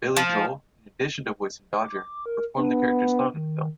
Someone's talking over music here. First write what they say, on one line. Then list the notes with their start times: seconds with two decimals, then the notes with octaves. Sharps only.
Billy Joel, in addition to voicing Dodger, performed the character's song in the film.
0.17 F3
1.76 D6
2.26 A#4
2.57 B3 D4
3.34 D#3